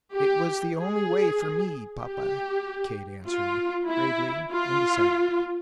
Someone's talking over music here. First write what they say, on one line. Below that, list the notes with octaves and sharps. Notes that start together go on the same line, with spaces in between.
"It was the only way for me, papa," Kate answered, gravely and decidedly.
G4
G#4
G4
F4
E4
F4